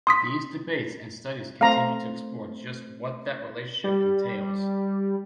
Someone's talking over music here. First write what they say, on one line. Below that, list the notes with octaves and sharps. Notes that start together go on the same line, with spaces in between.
These debates and studies continue to explore just what that relationship entails.
C6 D#6 B6
A3 C4 C5 F5 A#5
G3